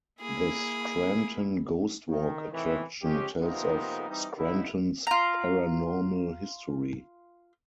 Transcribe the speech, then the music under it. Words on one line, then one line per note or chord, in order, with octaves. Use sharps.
The Scranton Ghost Walk attraction tells of Scranton's paranormal history.
A#3 E4 G#4
D#3
A2 C3 D#3 E3
D#2 F3 G#3 C#4 G4
C3 F3 A#3 B3 D#4 A#4
E3 G3 C4 D#4
B1 D3 D#4 E4
F4 A#5